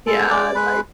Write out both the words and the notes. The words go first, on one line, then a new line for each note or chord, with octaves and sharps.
yeah, like
G#3 A4 A5
G#3 D5 D6
G#3 B4 B5